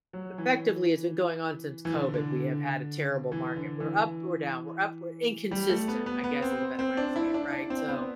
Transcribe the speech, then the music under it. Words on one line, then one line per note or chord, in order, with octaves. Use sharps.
effectively, it's been going on since COVID, we have had a terrible market, we're up, we're down, we're up, we're inconsistent, I guess, is a better way to say it, right? So,
F#3
E3
E3
D3
D3
E3
D3
E3
G3
A3
B3
B3
B3
C4
C4
D4
E4
D4
D4
C4
B3